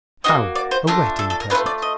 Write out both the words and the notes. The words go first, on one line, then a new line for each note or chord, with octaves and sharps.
"How a wedding present?"
A#3 D#4 F#4 D#5
D5
C5
A3 D4 F4 A#4
A4
A4
A#4
A3 C#4 F4 B4
D5
D#5